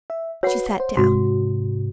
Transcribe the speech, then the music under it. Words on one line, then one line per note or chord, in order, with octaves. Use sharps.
She sat down.
E5
F#4 B4 C#5 F#5
C5
G#2 C3 F#4